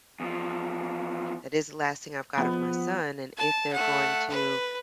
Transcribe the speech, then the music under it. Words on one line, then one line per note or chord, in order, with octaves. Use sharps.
that is the last thing I've got of my son, and if they're going to
E2 F3
F3 B3
A5
A3 F#5
B4